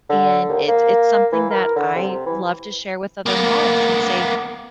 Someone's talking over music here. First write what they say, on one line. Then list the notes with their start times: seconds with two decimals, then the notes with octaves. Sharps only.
and it's it's something that I love to share with other moms and say,
0.09 D3
0.49 D#2
0.68 A#3
1.32 E3
1.50 A#4
1.76 D3
1.95 C3
2.26 E3
3.26 A#3 B3